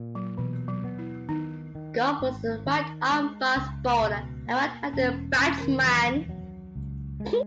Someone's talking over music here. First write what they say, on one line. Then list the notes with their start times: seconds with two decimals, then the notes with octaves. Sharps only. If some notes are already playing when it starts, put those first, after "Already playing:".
Gough was a right arm fast bowler and right-handed batsman.
Already playing: A#2
0.15 F#3
0.38 B2 E3
0.68 F#3
0.84 B3
0.99 E4
1.29 D#3 D#4
1.75 D#3
2.20 G#1
2.66 D#3
3.11 G#3
3.56 C#2
4.01 B2
4.47 A#3
4.93 E1 C#4
5.39 E1 C#4
5.62 D#3
5.84 E3 F#3
6.29 F#3
6.75 C#2
7.20 G#3